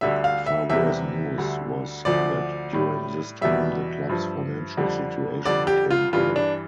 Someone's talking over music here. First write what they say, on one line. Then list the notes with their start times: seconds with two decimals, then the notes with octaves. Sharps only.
Far worse news was that during this time the club's financial situation became dire.
0.01 D2 D3 G3 E5
0.24 F5
0.46 E5
0.70 E2 C3 G3 E5
1.38 D2 D3 G3
2.05 D2 D3 F3 D5
2.73 A2 G3
3.41 E2 B2 G3 E5
4.09 G2 F3
4.77 F2 D3 G3
5.45 F2 D3 G3 D5
5.67 G4
5.90 F4
6.13 G2 E3 G3 F4
6.36 D4